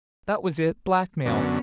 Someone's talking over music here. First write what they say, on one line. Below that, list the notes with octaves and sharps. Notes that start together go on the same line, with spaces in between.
That was it--blackmail.
F#2 D3 B3 C#4